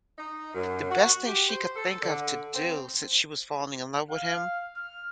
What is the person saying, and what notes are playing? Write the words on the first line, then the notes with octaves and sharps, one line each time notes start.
the best thing she could think of to do, since she was falling in love with him,
D#4
F#2
F#4
G4
C5
A4
D3
C4
F5
F6